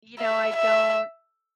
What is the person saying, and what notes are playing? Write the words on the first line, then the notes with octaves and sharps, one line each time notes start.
you know, I don't
E5
E5